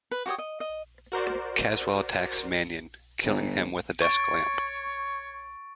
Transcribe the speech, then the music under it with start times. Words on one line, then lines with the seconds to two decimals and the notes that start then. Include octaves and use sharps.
Caswell attacks Manion, killing him with a desk lamp.
0.11 B4
0.26 F#4 G4 C#5 D#6
0.38 D#5
0.60 D#5
1.12 F#4 A#4 C5 D5
3.26 G1
4.02 C#5 C#6 A6 D7